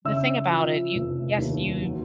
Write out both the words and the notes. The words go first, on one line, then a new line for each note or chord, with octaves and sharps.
the thing about it, you yes, you
C#3 E5 E6
F3
F1
D#2
F#3